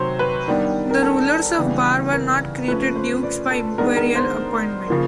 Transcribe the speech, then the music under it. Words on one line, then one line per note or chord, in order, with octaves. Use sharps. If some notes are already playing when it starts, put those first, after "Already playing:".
The rulers of Bar were not created dukes by imperial appointment.
Already playing: C3 D#3 F#3 C5 C#5
B4
D#3 G3 B3 D4
A#4
A4
C#3 E3 G3 B3 D4
A#4
F3 A3 C#4 B4
C5
D5
A4
D#3 G#3 B3 D4 A#4
A#4
C5
C#3 F3 A#3